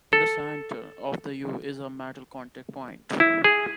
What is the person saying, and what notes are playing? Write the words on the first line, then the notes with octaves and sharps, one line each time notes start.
In the center of the "U" is a metal contact point.
A4
E4
G#4